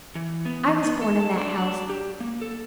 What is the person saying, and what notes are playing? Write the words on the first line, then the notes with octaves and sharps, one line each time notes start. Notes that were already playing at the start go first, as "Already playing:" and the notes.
I was born in that house.
E3
B3
E3
B3
A4
A5
D4
D4
G4
A#3
A4